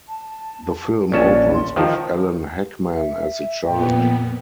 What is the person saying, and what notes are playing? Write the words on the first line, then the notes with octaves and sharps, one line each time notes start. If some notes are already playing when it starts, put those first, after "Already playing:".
The film opens with Alan Hakman as a child.
A5
A#1 C#4 D5 A5
C6
D#3 F3 A5
E5
F2 A#2 B3 G5